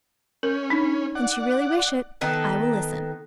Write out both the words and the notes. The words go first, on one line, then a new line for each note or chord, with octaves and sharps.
"Since you really wish it, I will listen."
C#4 A#4
D4 D#4
D5 F#5
D#3 B3 D#4 A4